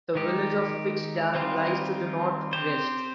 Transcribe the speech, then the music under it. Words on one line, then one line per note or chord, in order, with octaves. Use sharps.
The village of Fiksdal lies to the northwest.
D#3 G#3 D#4 G4
D#3 G3 C4 F4
C4 G4 C5